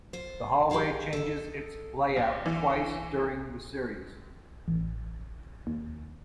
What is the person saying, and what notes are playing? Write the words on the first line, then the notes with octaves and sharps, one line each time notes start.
The hallway changes its layout twice during the series.
F4 C5
G4 G#4 C#5 F5 A5
A4 D#5
A#1
E3
A1
D#2